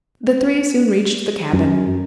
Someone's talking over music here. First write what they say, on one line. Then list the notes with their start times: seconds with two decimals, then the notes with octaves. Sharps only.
The three soon reached the cabin.
1.53 F#2